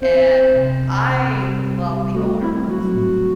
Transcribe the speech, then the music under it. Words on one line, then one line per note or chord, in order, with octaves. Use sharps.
and I love the older ones.
C4 C5
C4
C3
C3
C4
G3
G3
G3
A3 F#4
C4 E4
F#3 F#4
A2